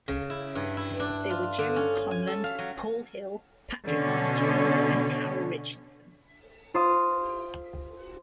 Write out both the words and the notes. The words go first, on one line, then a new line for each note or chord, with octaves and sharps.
They were Gerry Conlon, Paul Hill, Patrick Armstrong and Carole Richardson.
C#3
E4
G2
E4
D4
F4
D3
C#4
G#5
A4
F5
F#3
B2 D3 C#4
F4 C5 F5 C6 D#6